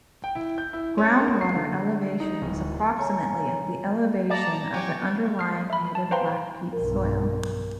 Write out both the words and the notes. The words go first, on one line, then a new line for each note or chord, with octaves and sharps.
Groundwater elevation is approximately at the elevation of the underlying native black peat soil.
G5
E4
G6
E4
C#4
A#3
C7
D3
D#4
D1
C#5 G#5 A#5
D5 A5 A#5
G4 C#5 G#5
F6 C7
E5 B5
A5
B4 C5 F5 G5 A#5 C6
B1 G2 A#4